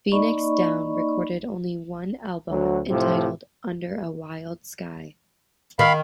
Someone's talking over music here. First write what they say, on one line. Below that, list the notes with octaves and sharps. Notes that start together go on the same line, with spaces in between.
Phoenix Down recorded only one album, entitled "Under A Wild Sky".
A#3 D#4 D5 D#5 B5 C#6
D2 F#3
A2 C3 F3
D#3 F5 B5